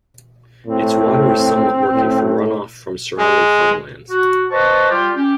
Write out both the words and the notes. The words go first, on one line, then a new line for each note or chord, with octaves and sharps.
Its water is somewhat murky from runoff from surrounding farmlands.
A2 C4
A2
G#3
F#4
B4 C5 D#5 F#5 A5 C#6
G3 F4 G4
C#4 G4